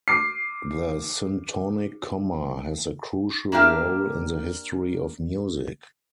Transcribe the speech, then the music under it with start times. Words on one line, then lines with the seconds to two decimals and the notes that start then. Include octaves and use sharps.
The syntonic comma has a crucial role in the history of music.
0.08 D6 C7
3.52 A#3 D4 G4 E5 F5